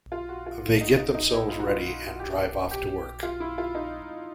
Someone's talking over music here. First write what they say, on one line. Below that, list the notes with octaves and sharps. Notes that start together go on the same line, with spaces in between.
They get themselves ready and drive off to work.
F4
F#4
F4
D#4
D#4
D#4
E4
F4
F#4
F4
G4
G4
F4
E4
F4
D#4